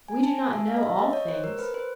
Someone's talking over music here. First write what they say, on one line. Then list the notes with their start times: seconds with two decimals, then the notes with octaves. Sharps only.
We do not know all things.
0.08 G#5
0.23 A5
0.38 G#5
0.53 E5
0.68 F5
0.77 D#5
0.83 E5
0.99 D#5
1.13 C#5
1.28 C5
1.44 A#4
1.59 B4
1.74 C5